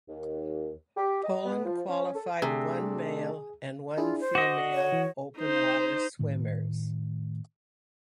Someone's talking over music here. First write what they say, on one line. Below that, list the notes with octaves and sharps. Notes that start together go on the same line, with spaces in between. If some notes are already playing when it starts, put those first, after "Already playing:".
Poland qualified one male and one female open water swimmers.
D#2
G4
D#5
B3
F3
C#4
A4
C3 A3 D4 G#4
D4 E4 F4 G#4
C5
F#4 D#5 D6
C#5
E3
D#4 C5
A2 D#3 A3